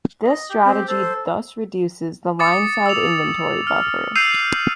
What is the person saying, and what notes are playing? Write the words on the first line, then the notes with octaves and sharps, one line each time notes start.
This strategy thus reduces the line-side inventory buffer.
D#5
G4
C4
A4 C5
D6 D#6 A6 C#7
E6 F7
F6
E6 G6 C7 D#7 F7